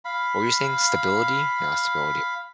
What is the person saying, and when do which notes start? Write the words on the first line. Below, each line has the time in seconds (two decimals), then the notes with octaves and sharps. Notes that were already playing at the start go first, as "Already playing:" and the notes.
What were you saying, stability? Not stability
0.05 F5 B5